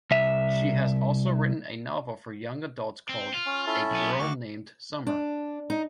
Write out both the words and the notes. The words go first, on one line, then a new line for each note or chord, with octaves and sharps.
She has also written a novel for young adults called "A Girl Named Summer".
C2 E5
C4
F4
C#4
C#4 E4 A4
B1 B3
D2 F#4 C#6 D6
D4
D#4